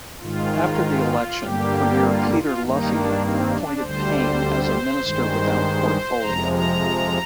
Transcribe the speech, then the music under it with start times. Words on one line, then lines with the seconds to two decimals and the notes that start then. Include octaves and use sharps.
After the election Premier Peter Lougheed appointed Payne as a Minister without portfolio.
0.20 G#2 D#3 G#3 F4
1.40 G2 D3 G3 A#3 G4
2.00 F4
2.31 F4
2.61 G2 D#3 A#3 D#4
2.90 D4
3.21 C4
3.51 D4
3.80 D2 D3 G3 C5
5.02 G2 D#3 G#3
6.22 F2 C3 F3 G#3 A#5
6.52 A#5